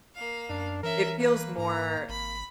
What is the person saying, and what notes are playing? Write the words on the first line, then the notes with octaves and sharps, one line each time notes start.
It feels more
A#3 F5
F#2 D4
E3 C#4 A#4 E5
A#3 B4
G#2 A#5
G#1 B5